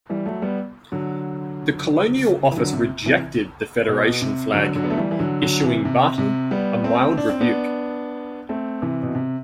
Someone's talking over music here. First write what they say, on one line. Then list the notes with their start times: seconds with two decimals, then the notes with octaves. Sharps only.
The Colonial Office rejected the Federation Flag, issuing Barton a mild rebuke.
0.10 E3 G3
0.26 F#3 A3
0.42 G3 B3
0.92 D3 F#3
2.52 E3
2.56 D3 F#3
2.73 C3
3.06 C3 E3
3.88 B2
4.22 C3
4.53 D3 F#3
4.75 D3 F#3
4.84 B3
4.90 A3
4.98 E3 G3
5.11 E3
5.19 D3 F#3
5.42 D3 F#3
5.63 C3 E3
5.85 C3
6.18 C3
6.51 G3 B3
6.84 A3 C4
7.17 D4
7.30 C4
7.41 B3 D4
8.49 A3 C4
8.82 C3 E3
9.03 B2
9.15 C3